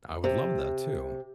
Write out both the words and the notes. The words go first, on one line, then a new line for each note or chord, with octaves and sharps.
I would love that, too.
C3